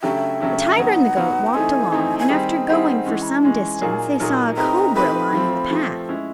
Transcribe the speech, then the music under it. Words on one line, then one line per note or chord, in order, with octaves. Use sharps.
The tiger and the goat walked along and after going for some distance they saw a cobra lying in the path.
C#3 F#3 A3 D4 G4 E5
C#3 F#3 A3 D4 G4
F#3 B3 D#4 F#5
F#3 B3 D#4
G5
E3 A3 C4 D#4 G#5
E3 A3 C4 D#4
G#5
D#3 G3 C4 D#4 G#4 G5
D#3 G3 C4 D#4 G#4 F#5
E3 G#3 C#4
B5
A#5
A5
E3 G#3 C#4 G#5
A#2 F#3 A#3 D#4 G#4
A#2 F#3 A#3 D#4 G#4
A3 C4 D#4 G4 B4 A#5
A3 C4 D#4 G4 B4 B5
F3 A3 C4
F3 A3 C4
G#3 C#4 E4